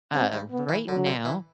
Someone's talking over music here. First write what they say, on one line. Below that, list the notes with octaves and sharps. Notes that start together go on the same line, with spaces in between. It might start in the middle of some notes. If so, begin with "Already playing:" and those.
Uh, right now
G2 C4
G2
B3
E3
D3 F#3
D3
E3